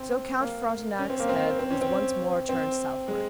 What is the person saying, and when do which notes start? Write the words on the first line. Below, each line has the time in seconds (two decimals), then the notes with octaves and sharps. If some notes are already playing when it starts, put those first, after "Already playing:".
So Count Frontenac's head was once more turned southward.
Already playing: C4
0.40 A#3
0.99 C#4
1.10 C4
1.20 A#3
1.29 C4
1.59 C4
1.71 C#4
1.81 C4
2.49 C4
3.08 G#3